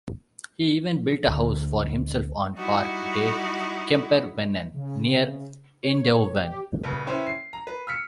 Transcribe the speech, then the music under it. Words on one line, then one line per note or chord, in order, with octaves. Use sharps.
He even built a house for himself on park "De Kempervennen" near Eindhoven.
D2
G3 D#4 E4 F#4
C#3
C#5
G4
D#1 C#3 B4
C#4 E4 B4 C5 G5
C7
A#5
B4
E6 F6 B6 C#7